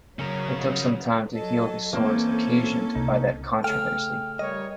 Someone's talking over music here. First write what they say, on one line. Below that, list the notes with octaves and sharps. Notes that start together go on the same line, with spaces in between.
It took some time to heal the sores occasioned by that controversy.
C#3 F#3 C#4 A#4
F#3 A4 D#5
E3 A#3 C4 C#4 A4 C5
C2 D#4
C#3 A3 G5 F6
G3 A#4 C#5 D#5